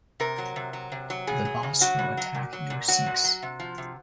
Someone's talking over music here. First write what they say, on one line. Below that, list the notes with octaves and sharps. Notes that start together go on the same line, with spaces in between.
The boss will attack your sinks.
C3 A#4
F#3
C3
F#3
C3
F#3
C#3 G#4
F#3
C#3
F#3 F#4
C#3
F#3
A#2
F#3
A#2
F#3 F#4
A#2
F#3
C3
F3
C3